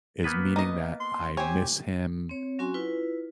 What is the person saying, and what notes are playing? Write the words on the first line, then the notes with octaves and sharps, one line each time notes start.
is meaning that I miss him,
A#3 B3 B4
D#4 D#5
C6
C4 G4 C#5 G#5
C4 C#5
F#3 C#4 F#4 G#5 C6
E4 F4 B4